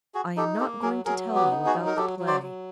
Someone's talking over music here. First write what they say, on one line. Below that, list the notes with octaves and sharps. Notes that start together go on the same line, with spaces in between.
I am not going to tell you about the play.
F#4 G#4
D#4 G4 A4
A#3 G4 A4
F#3 G#4 A#4
F#3 G#4 A#4
B3
G4
D#4
F#4 G#4
F#3
A#4
F#3 G4 A4
F#3
C5 D5
F#3